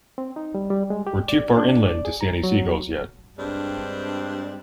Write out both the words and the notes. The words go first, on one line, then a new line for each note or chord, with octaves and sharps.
We're too far inland to see any seagulls yet.
C4
D#4
G3
G3
G#3
G4
D5
D4
D5
G#4
A#5
F#3
G2 G#3 C4 D4